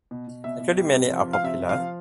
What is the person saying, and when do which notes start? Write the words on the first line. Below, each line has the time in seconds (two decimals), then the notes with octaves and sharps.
Including many are popular.
0.11 B2
0.27 B2
0.44 B2 E5
0.61 B2
0.78 G3
0.94 C3
1.11 F3
1.28 F3
1.33 F5
1.43 C3 E5
1.61 F3
1.69 F5
1.78 F3